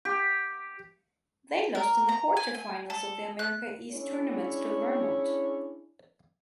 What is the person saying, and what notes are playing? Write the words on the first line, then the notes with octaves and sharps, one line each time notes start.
They lost in the quarterfinals of the America East Tournament to Vermont.
G4
A#4
A#5
G#5
G#5
A4
F#6
C#4 D4 E4 G#4 C#5